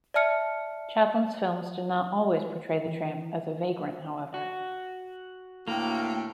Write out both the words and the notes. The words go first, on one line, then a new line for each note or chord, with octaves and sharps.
Chaplin's films did not always portray the Tramp as a vagrant, however.
D5 E5 A5 F6 C#7
E3
F#4
D2 A2 A#3 G5